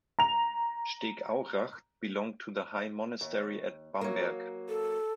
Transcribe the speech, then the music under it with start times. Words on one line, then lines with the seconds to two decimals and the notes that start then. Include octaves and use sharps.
Stegaurach belonged to the High Monastery at Bamberg.
0.19 A#5 F7
3.21 D#2
4.01 F#3 A#3
4.69 A4